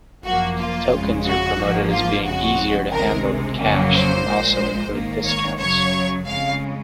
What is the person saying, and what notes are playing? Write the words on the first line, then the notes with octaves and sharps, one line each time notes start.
Tokens are promoted as being easier to handle than cash, and also include discounts.
F#2 F3 A#3 F#4
F4
F2 C#3 G#3
F#4
G#2 F3 A#3
F4
F2 C#3 G#3 F#4
C#2 C3 D#3 G#3 A#4
F2 C#3 F#3 A#3
C5
A#1 A#2 G#3
G#2 D#3 A#3
C#5
F#2 C#3 F#3 C#5
F2 C#3 G#3 F5